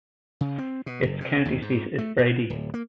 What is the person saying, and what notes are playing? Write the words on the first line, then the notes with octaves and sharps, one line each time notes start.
Its county seat is Brady.
C#3
C4
B2
F#1
C3
D#2
G#2
A3
B2
D1
A#3